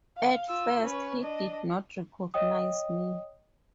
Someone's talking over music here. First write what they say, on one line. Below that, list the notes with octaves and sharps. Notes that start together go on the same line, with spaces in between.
At first he did not recognise me.
F5
F4 E6
C#4 B4
D4 D#5
C#5 D#5 G5 D#6